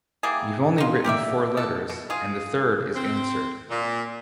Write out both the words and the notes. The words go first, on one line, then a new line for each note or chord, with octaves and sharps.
You’ve only written four letters, and the third is answered.
G3 A#3 E4 G#4
D#4 F4
G4 A#4 D5 E5
A4
B2
F4 G#4
C4
A#2